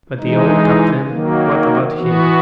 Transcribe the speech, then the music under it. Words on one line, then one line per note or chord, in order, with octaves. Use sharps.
But the old captain, what about him?
E3 G#3 D#4
D#3 F#3 A#3
E3 B3 F#4